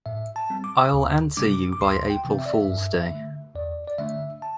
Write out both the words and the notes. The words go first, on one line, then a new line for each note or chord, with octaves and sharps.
I'll answer you by April Fool's Day.
A2 E5
A5
G3 C4
D6
D2
C3 G3 D4 D6
D6
D2 C6
G5
C3 E3 C4
E5
D5
E5
G2
D3 A3
E2 D5
D5
D3 A3 D4 E5
A5